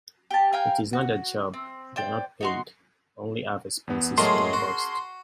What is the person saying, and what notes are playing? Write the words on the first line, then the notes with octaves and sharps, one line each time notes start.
It is not their job, they are not paid, only have expenses reimbursed.
G4 A5
A#4 F5 G5 G#5
F#4
C4
C5 D5 G5
D#4 F#4 C6
E2 B3
A2 F#3 G#3 G#4 A#4 A5 C6
F#4